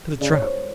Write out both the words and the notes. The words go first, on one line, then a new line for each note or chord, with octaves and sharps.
"To the trap!"
C#3 D5
C#5
C5